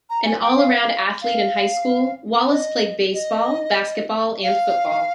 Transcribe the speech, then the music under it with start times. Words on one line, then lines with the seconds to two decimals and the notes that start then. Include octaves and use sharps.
An all-around athlete in high school, Wallace played baseball, basketball and football.
0.10 A#5
0.25 G#5
0.41 G5
0.57 F5
1.22 F5
2.50 D#5
3.14 D#5
4.43 F5